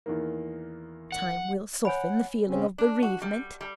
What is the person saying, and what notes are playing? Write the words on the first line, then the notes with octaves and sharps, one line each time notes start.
Time will soften the feeling of bereavement.
E2 D#3 A#3
F#5
C#5 F#5 G#5 B5
C#3 C4 C#4
D4
F#4
G3
G3